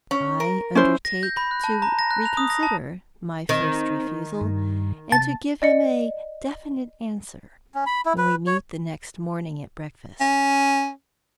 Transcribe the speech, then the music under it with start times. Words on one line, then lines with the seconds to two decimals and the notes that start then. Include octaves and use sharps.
I undertake to reconsider my first refusal, and to give him a definite answer when we meet the next morning at breakfast.
0.11 C#4
0.40 A#4
0.75 C#4 E4 C5
1.05 A#6
1.23 G6
1.37 B5
1.51 F#6
1.64 A5
1.82 A#5
1.99 A#6
2.11 F#6
2.25 F7
2.37 D#6
2.50 A#6
2.63 A5
3.49 D#3 C4
4.41 G2
5.12 C3 A5
5.62 D5 D#5 C#7
7.75 C#4
7.86 B5
8.06 E4
8.18 B4
8.47 C#5
10.21 C#4